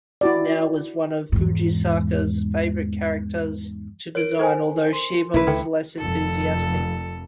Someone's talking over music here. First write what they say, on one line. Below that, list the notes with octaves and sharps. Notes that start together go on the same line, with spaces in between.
Nowe was one of Fujisaka's favorite characters to design, although Shiba was less enthusiastic.
E4 F#4 D5
E2 G#2
A#4 C#5 D7
A4 C5 G#5
C6
A#1 C#3 E3 E4 B4
C#2 D3 D#3 A4 G5
F1 F2 A4